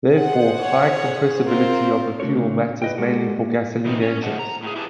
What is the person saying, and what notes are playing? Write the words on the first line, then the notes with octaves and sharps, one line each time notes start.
Therefore, high compressibility of the fuel matters mainly for gasoline engines.
G#4 C5 F#5
C#5
C4 F4 A#4 C5
C#3 A3 D4 F#4 A#4 C#5
B4 D#5 G5
G#3 F#4 G4 A4 A#4 F#5
A#3
E3 B3 C4 D#4
C#4
A3 C5 D#5 F#5 A5
A#5
A2 G#4
E4 G4 G#4 B4 G#5 A5